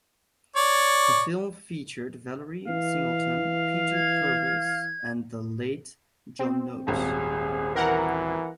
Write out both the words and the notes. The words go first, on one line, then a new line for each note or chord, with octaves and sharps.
The film featured Valerie Singleton, Peter Purves and the late John Noakes.
C#5 D5
E3 F5
G#6
C4
D#1 G#1 G#4
E3 A#4 F#5 A#5